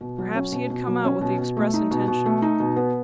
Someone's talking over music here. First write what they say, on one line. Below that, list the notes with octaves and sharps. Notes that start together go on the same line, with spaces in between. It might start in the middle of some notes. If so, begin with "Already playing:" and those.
Perhaps he had come out with the express intention.
B2
F#3
C#4
B2
B2
F#3
C#4
B2
B2
A3
D#4
B2
B2
A3
D#4
B2
B3